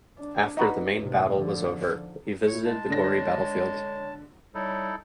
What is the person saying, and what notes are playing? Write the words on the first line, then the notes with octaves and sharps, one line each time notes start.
After the main battle was over, he visited the gory battlefield.
D4
D#4 F#4 B4
A2 C3
D3 F3
E4 C#5
G#3 A5
D3 C#5 A#6
G3 D#4 E4 A4 C#5